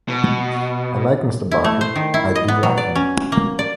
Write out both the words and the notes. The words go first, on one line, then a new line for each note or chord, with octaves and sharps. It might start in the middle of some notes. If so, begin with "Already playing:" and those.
I like Mr. Barker — I do like him.
B2
E4
A3
C5
D#3
E4
D#5
B3
F#3
D5
C#4
A#3
D5